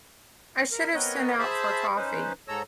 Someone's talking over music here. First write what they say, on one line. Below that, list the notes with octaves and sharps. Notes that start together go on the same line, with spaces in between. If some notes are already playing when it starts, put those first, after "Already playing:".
I should have sent out for coffee.
A#4
B3 C4 A#4 B4 C#5 D#5
G#4 C5 E5 A5 B5
C#4 D#4 B4 C5
G#2 G#3 A4 C#5 A#5 E6